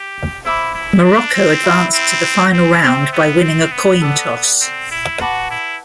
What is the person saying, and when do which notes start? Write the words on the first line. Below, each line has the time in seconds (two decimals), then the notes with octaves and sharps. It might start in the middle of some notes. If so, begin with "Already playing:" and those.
Morocco advanced to the Final Round, by winning a coin toss.
Already playing: G4
0.45 E4 C5 E5 B5 D6
0.75 E4
1.04 D4
1.34 C4
1.63 E4 B4 E5
1.94 C4
2.53 C4
2.82 C4 C5 E5 G5
3.13 B3
3.42 C4
3.72 B3
4.01 A4 D5 F#5
4.61 C4
4.91 E4
5.21 F#4 B4 F#5 A5 D6
5.50 E4